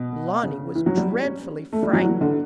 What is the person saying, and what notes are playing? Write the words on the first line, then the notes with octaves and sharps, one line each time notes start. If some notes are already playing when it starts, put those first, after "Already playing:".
Lonnie was dreadfully frightened.
Already playing: B2
C#3
E3
F#3
G3
C#4
A3
G3
F#3
E3
D3